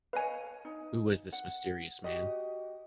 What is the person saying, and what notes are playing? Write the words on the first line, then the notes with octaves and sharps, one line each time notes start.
Who was this mysterious man?
B4 C#5 D#5 F5 G#5
D#4
F#5
F#4 G4 D#5